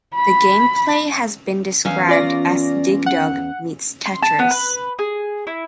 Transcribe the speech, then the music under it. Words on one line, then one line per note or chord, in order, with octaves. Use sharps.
The gameplay has been described as Dig Dug meets Tetris.
B5
E2 C#4 F5
F4 D5 A#6
F#5
C6
A5
B3
B4
G#4
E4